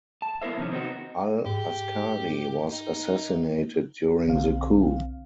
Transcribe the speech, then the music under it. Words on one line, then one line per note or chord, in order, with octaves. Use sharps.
Al-Askari was assassinated during the coup.
A5
B3 E4 A#4 C5 E5
C3 D#3 F3 C#4
B3 C4 D#4 F#4 C5
G#2 G4
D#4
B1 D3 C4 F5